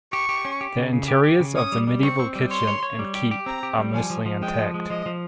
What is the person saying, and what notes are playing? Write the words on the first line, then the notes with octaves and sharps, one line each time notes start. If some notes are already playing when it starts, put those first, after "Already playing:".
The interiors of the medieval kitchen and keep are mostly intact.
G4 C#6
G4
C#4
G4
C#3
C#3
G4
G4
C#3
C#4 D#6
G3
G3
C4 C#6
C4
G3
C#5 C6
C#5
C#5
G3
G4
G4
C4 A#5
G4
G3
F3 G#5
F3
F3
G#3 G5
F3
G#3
F3 D#5
F3